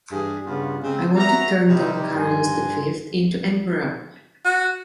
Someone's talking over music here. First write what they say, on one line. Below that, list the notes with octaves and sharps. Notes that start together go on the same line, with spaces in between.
I want to turn Don Carlos V into emperor.
G2 E3 G#4
G2 C#3 B3 F4
C#3 G#3 C4
B3 F#4 E5 A#5
C3 F3 G3 D#4
G2 F3 G#5 C6
F#4